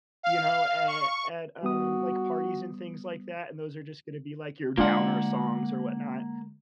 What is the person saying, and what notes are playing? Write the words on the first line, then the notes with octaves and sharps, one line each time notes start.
you know, at at, um, like, parties and things like that, and those are just gonna be, like, your downer songs or whatnot,
F5
C#6
G3 B3 F#4 D#6
D3 G#3 A#3 D4 F4 F#5